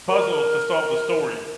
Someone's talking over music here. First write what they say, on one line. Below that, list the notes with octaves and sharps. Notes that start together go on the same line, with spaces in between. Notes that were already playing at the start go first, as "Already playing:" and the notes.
puzzles to solve the story.
A#4